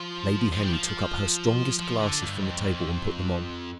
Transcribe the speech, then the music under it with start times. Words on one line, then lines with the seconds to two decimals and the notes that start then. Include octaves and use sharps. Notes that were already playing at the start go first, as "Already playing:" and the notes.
Lady Henry took up her strongest glasses from the table and put them on.
Already playing: F3
0.52 F3
0.63 G3
0.73 F3
1.79 F3
2.00 D3
2.22 G2
2.42 F2